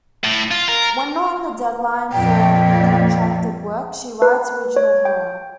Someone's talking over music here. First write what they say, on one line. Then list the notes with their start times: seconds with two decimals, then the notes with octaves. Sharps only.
When not on deadline for contracted work, she writes original horror.
0.24 A2
0.51 F4
0.68 A#4
2.13 F2 A#2 G5
4.22 B4
4.76 C#5
5.05 G5